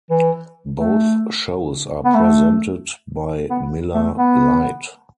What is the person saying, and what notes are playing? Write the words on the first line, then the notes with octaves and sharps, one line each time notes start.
Both shows are presented by Miller Lite.
E3
A3
B3
A3
B3
A3
B3